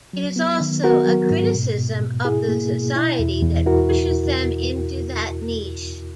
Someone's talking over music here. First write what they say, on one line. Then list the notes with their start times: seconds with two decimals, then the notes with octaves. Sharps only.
It is also a criticism of the society that pushes them into that niche.
0.13 F#3
0.36 B3
0.61 D#3
0.84 B3 F#4 A#4
1.07 F#3
1.31 G#2
1.55 B2
1.78 B2
2.01 B2
2.25 E4 G#4
2.48 A#3
2.73 B2
2.96 E4
3.19 E2
3.43 E2
3.66 E4 F#4 A#4